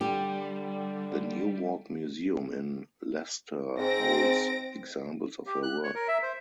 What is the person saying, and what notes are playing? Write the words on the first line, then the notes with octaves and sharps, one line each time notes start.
The New Walk Museum in Leicester holds examples of her work.
D3 G3 G4
G#2 C4 A#6 D7
G4
F#6
C#5
A#4
E5
C5